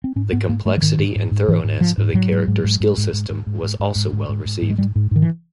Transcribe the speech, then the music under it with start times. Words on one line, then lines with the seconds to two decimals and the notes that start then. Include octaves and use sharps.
The complexity and thoroughness of the character skill system was also well received.
0.04 C4
0.16 G#2 C#4
0.33 G#2 B3
0.49 G#2 A#3
0.65 G#2 A3
0.77 E3
0.82 G#2 D#3
0.99 G#2
1.16 G#2
1.31 G#2
1.48 G#2 E3
1.64 G#2
1.81 G#2 F3
1.98 G#2
2.14 G#2 F#3
2.31 G#2
2.48 G#2
2.64 G#2
2.80 G#2
2.97 G#2
3.13 G#2
3.30 G#2
3.47 G#2
3.63 G#2
3.80 G#2
3.95 G#2
4.12 G#2
4.29 G#2
4.45 G#2
4.62 G#2
4.70 G#3
4.78 G#2 G3
4.96 G#2
5.11 G#2 D#3
5.22 E3